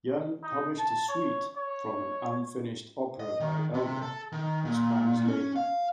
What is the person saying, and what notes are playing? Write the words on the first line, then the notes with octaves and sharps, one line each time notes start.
Young published a suite from an unfinished opera by Elgar, "The Spanish Lady".
D#4
A5
C#5
C#5
D#5
D#3
C3
A4
D#3
A#2
C#4
F5